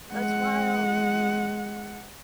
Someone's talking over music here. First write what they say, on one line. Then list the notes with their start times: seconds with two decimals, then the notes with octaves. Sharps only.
That's wild.
0.11 G#3 F#5